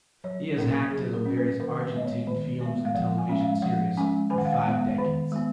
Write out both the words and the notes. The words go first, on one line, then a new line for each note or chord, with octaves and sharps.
He has acted on various Argentine films and television series for five decades.
F#3 C#5
A#3 C#4 A#4
F#3 G#4
A#4
A#3 C#4
B4
D#3 A#4
B4
G#3 B3 D#5
C#5
D#3
B3
G#3
F5
F3 F#5
G#5
G#3 C#4
F5
F3 F#5
G#3 C#4 G#5
D#3 G#5
F#5
F5
F#5
G#3 B3
D#3
G#3 B3